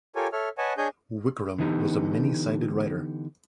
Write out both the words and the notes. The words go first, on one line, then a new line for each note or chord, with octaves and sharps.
Wickram was a many-sided writer.
F4 G4 A4 A#4 C#5 G#5
A4 C#5 E5 F6
B4 C#5 D#5 F#5 G#5 A5
D4 G#4 C#5 D#5 G#5 G6
D3 E3 B3 D#4 G4